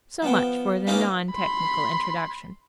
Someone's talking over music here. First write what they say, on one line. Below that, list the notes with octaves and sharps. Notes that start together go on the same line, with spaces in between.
So much for the non-technical introduction.
F3 B3 G5
A#3 C#4 D#4 F4 G4 B4
B5 C6